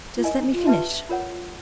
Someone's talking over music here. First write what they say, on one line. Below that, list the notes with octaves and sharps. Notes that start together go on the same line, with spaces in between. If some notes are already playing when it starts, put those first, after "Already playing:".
"Just let me finish."
F4
E4 A#4 D#5 G#5
D#4
F4
D4 G4 B4 E5 A5
F4 A#4 C#5 F#5